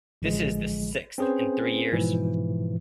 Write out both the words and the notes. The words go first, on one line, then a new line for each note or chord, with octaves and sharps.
This is the sixth in three years.
A1 D3 F3 G#3
C4 C#4 G#4 B4 C5
G#2 B2 E3 F3